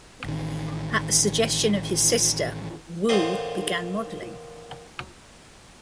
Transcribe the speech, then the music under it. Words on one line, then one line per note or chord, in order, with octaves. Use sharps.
At the suggestion of his sister, Wu began modeling.
A1 D#3
A1 A#2 D3 A3 C4 D#5